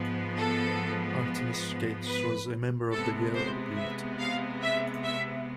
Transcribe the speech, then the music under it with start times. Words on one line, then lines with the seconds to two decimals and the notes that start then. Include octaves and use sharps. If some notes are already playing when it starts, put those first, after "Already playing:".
Artemus Gates was a member of the Yale unit.
Already playing: G#2 F3 B3
0.36 A4
2.07 B4
2.91 C3 G#3 B3 A4
3.34 C5
3.76 E5
4.18 F5
4.61 E5
5.04 E5